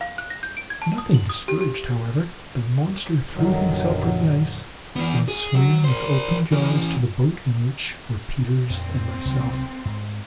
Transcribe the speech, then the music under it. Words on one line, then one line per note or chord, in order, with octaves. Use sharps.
Nothing discouraged, however, the monster threw himself from the ice, and swam with open jaws, to the boat in which were Peters and myself.
F5
F#6
A#6
G6
D7
G#6
A5
D#6
F#7
D#6
G4
G4
A1 F#2 A#2 D3 D#3 F#3
E3 B3
G#4
F#3
A#4 C5
E3 C#4
F2 A#2 C4
C2 F#3
G#2